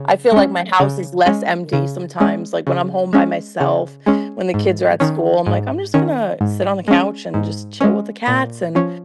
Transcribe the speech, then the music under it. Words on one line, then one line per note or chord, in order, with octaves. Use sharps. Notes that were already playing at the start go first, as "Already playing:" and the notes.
I feel like my house is less empty sometimes, like when I'm home by myself, when the kids are at school, I'm like, "I'm just gonna sit on the couch and just chill with the cats and
Already playing: C#3
G#3 C#4
C#3
G#3 C#4
C#3
G#3 C#4
C#3
G#3 C#4
C#3
G#3 C#4
G#2
D#3 C#4
G#2
D#3 C#4
G#2
G#3 C#4
G#2
G#3 C#4
A#2
F3 C#4